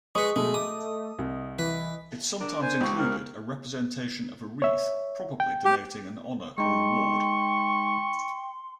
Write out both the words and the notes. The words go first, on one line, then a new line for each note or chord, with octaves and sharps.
It sometimes included a representation of a wreath, probably denoting an honour or award.
G#3 B4 D#5 C#6
B2 G#3 A3
D6 D#6
C2
E3 B4
D4 A#4 D6
C5 G#5
C#2 D#4 G4 C#6
C#3 G3 A#4 C5
C#5 E5
G5
G4
G#3 D#4 G5 C6 C#6